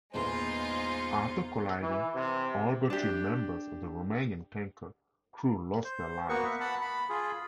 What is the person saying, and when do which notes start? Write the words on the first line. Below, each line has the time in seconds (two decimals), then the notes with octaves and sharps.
After colliding, all but three members of the Romanian tanker crew lost their lives.
0.14 A#1 E2 G#3 D#4 F4 B4 C5
1.82 E3
2.15 C3
2.90 D4 G4
5.84 C5
6.29 A#3 B3 F#4 C#6
6.45 E5
6.60 F#5 A5 B5
6.81 B5
7.09 F4 G#4